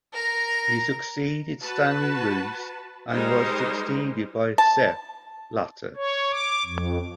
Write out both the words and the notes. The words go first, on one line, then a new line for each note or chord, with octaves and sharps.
He succeeded Stanley Rous and was succeeded by Sepp Blatter.
A#4 A#5
F#4 B4 A5
G3 G#3 D#4 A#4 C5
A5
C#5
D6
F2